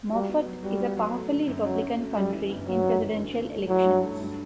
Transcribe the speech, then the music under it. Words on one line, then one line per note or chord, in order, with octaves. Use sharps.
Moffat is a powerfully Republican county in Presidential elections.
G3 F#4
B3
F#3
G3 F#4
B3
F#3
A3
D3
F#2
F#2 F#3
F#2
A3
F#2 G3
E3
G1
G1 F#3
F#2
E3
D3
A3
A3
F#3 E4
G2
A3
G2